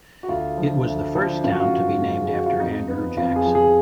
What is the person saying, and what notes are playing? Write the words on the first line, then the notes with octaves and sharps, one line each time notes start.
It was the first town to be named after Andrew Jackson.
F#4
D2 F4
D3 F3
D2
D3 F3
F#2 F4
F#4
F4
F3
F#2
G#4
F3 F#4
F4
F2 D#4
F3 B3
F2 F4
G#4
F3
G#4